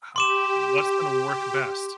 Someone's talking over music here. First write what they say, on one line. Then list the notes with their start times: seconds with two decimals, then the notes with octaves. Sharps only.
How what's gonna work best?
0.16 G4 C6 D6 E7